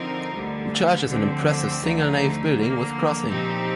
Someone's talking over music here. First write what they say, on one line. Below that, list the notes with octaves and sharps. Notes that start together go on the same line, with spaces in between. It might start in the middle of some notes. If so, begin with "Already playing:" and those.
The Church is an impressive single nave building with crossing.
Already playing: D3 F3 C4 D#4 A#4
D2 D3 G3
D2 D3 F3 C4
D2 D3 F3 A3 D#4
D3 F3 A#3
A#2 F3 C4 D#4 G4